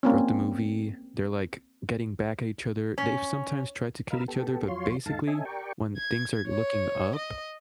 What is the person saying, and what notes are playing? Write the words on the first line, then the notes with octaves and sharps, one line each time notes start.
throughout the movie, they're, like, getting back at each other they've sometimes tried to kill each other, but, basically, when things are looking up
A#3 C4 C#4
C#4
A#4 D#5 F5 B5 E6 F6
B3 G4 A4
F2 F#3 F4 C#5 C6
D#2 G#2 D#4 A4 F5 A5
C#4 A4 D#5 E5 G#5
G4 A#4 D5 G5 C#6
G#6
C#5
D#5